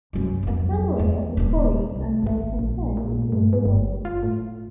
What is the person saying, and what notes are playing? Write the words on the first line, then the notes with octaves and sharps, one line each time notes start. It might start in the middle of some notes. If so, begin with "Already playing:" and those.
A summary of the quarries and their contents is given below.
C2 F#2
F2 F#3
E2
D#1 D4
C2
G#1
A#1
A#2
G2
G#2
G1
F4
A2